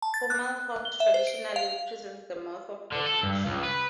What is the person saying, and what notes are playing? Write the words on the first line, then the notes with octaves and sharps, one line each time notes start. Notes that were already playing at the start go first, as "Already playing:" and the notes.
Fomalhaut traditionally represents the mouth of the fish.
A5
A6
F#6
G7
E5
C5
D7
F5
D3
A4
G2
C#2
B4